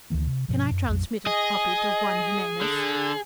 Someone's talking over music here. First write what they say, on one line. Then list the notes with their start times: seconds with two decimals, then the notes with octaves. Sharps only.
Can I transmit a copy to Juan Jimenez?
0.10 D2 D#3 E3 A#3
0.27 C3
0.48 G2 B2 F3
0.71 F#2
0.88 A#1 F2 F#3
1.27 G#4 D#5
2.62 D3